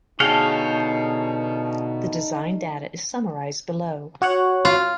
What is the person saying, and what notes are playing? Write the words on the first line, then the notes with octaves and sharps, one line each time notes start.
The design data is summarized below.
B2 D3 A3 D#4 G#4 C#5 F5 G5
F#4 C#5 F#5
F4